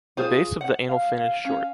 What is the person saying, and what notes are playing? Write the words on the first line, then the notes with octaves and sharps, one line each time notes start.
The base of the anal fin is short.
F4 G#4 C5
F#5
F5
C#4